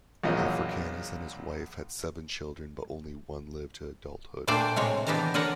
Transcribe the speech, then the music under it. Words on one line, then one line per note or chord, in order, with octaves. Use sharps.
Africanus and his wife had seven children, but only one lived to adulthood.
A#1 E2 F3 F#3 A#3 D#5
A#2 A3 D4 C5 D5 G5
A2 C3 G#3 C#5
E3 B3 D4 G4 A5 A#5
D3 A#4 C#5 D5 F#5